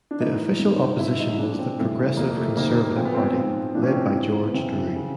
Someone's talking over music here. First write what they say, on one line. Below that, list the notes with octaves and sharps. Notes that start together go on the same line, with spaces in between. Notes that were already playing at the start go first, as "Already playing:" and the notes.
The Official Opposition was the Progressive Conservative Party, led by George Drew.
D4
A2 E3 D#4
G2 D#3
G2 D#3 E4
D#4
D#4
A#2 F3 D4
C4
G2 E3 A3
F2 C3 F3 A#3
A3
F2 C3 D#3 A#3
A#2 F3 C4
B3
C4
G#2 F3
A2 F3 D4
C#4
C4
C#4
A2 E3
B3
F#2 C#3 E3 C4
C#3 E3